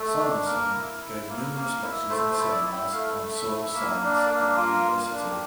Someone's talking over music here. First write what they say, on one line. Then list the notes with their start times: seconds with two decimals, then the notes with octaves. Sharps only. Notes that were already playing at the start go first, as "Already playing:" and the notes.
Simonson gave numerous lectures and seminars on soil science at the university.
Already playing: A3
0.19 D4
0.45 A#3 A#4
0.73 E4
1.01 E4
1.28 A#3
1.56 A#3
1.83 E4
2.10 A3 C5
2.31 C5
2.37 E4
2.52 D5
2.66 E4
2.72 G5
2.92 A3 F5
3.20 A3
3.33 E5
3.48 E4
3.74 A#3 E5
4.02 D4
4.16 D5
4.29 A#3
4.56 F4 A#4
4.84 A#3
5.11 D4
5.31 G4